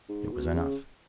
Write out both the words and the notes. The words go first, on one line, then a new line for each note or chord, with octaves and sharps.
It was enough.
G#2
B2
C#3